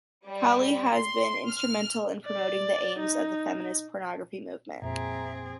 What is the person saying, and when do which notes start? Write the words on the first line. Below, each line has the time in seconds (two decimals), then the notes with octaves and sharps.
Kali has been instrumental in promoting the aims of the feminist pornography movement.
0.27 G3
0.95 C6
1.49 F6
2.26 D5
3.00 D#4
4.82 F2 A#2 C4 G#4 E5 A#5